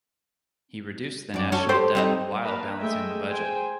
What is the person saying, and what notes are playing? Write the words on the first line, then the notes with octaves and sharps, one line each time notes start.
He reduced the national debt while balancing the budget.
F#2 D5
C#4 F#4 A4
G4 A4 C5
G3 C4 D#4
A#3 A#4 B4 F5 A5
G#3 A3 D#5 E5 G5
G#4 C5 G5 G#5